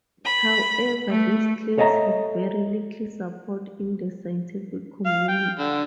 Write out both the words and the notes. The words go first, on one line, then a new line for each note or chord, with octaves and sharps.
However, these claims have very little support in the scientific community.
B5
A3
A4 C#5 D#5 E5 F#5 A#5
F5
G5
D3